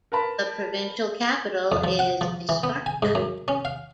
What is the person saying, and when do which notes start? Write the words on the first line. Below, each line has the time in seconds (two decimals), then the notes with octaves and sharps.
The provincial capital is Isparta.
0.12 A#4 B4 A5 B5
1.72 F2
1.84 F3
1.99 F#5
2.21 F3
2.49 E3
2.63 B3
2.86 G#5
3.02 G#2
3.15 F#2
3.48 C#4
3.65 F5